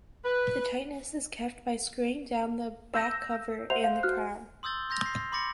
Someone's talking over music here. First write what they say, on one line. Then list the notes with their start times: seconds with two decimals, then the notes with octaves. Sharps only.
The tightness is kept by screwing down the back cover and the crown.
0.25 B4
2.94 E6 G6 A#6
3.70 C5 E5 F#5 F7
3.84 F5
4.03 F#4 F6 F#6
4.63 C6 D#6 E6 G6 A6 G7
4.90 C6 G6 A#6 F7
5.06 C7
5.32 B5 C6 D6 A6 A#6 C#7